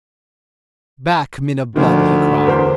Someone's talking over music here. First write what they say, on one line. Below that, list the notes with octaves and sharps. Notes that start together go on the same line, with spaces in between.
"Back, men of blood!" he cried.
D2 D#3 F3
E2 A#4 C5